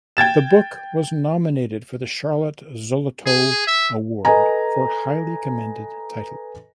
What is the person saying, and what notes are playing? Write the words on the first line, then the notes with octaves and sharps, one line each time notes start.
The book was nominated for the Charlotte Zolotow Award for Highly Commended Title.
G5 G#6 A6 E7
G#4
E5
A4 B4 D#5 G#5 A#5